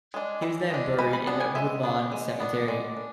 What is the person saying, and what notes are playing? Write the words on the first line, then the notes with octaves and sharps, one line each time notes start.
He was then buried in Woodlawn Cemetery.
G#3 D4
E3
G#3 D4
G#3 B5
B5
B3 D4 A5
G#5
G#3 E5
B3 D4
G#3
B3 D4
G#3 D5
D4